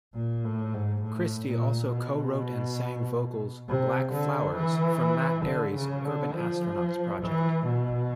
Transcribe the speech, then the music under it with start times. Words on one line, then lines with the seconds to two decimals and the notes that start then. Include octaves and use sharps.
Kristy also co-wrote and sang vocals "Black Flowers" from Matt Darey's Urban Astronauts project.
0.14 A#2
0.44 A2
0.74 G#2
1.03 A2
1.47 A#2
1.92 B2
3.69 C3
4.13 D3
4.57 E3
5.45 D3
5.76 C#3
6.05 D3
6.34 F3
7.23 E3
7.67 B2